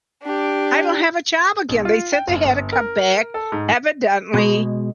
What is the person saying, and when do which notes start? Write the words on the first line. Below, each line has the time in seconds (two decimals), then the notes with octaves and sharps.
I don't have a job again, they said they had to cut back, evidently,
0.23 D4 G4
1.69 B1
1.85 F4
2.12 G5
2.27 F#1
2.45 G1
2.73 A#4
3.34 A4
3.52 G#2
4.34 B2 G#3